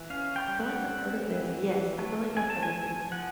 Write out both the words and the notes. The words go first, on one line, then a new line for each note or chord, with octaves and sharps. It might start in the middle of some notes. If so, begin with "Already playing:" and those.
I feel like I've heard of this. Yes, I feel like I've heard of this.
Already playing: E3
C#4 F5
G5
G3
F#5
C4
E3
E3
A3
C4 G#5
A5
G#5
F3
F3 F#5